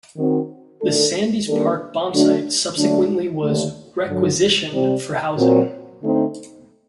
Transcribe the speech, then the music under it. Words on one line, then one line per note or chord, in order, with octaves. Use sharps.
The Sandheys Park bombsite subsequently was requisitioned for housing.
D#3 F#3 C4
D#3 A3 D4 A4
D#3 G3 A#3 D4 A4
D3 F#3 A3 D4 F#4
D3 F#3 A3 D4
D#2 D3 A3
G2 D3 F#3
C3 G3 C4
A#2 F#3 C4
D3 A3 C4 D#4